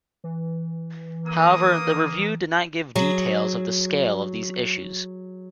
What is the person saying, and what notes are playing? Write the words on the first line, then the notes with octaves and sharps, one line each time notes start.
However, the review did not give details of the scale of these issues.
E3
A#3 D#6
F#3 G#4